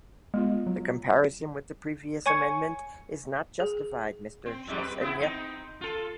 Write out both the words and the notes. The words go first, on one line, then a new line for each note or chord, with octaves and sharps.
The comparison with the previous amendment is not justified, Mr. Chassaigne.
G#3 B3 F4
F#3
C#5 G#5 C#6 G#6 C#7
G#4
C4
F2 G#2 G3
C4 B4
B3 E4
C4 D#4
F4 A4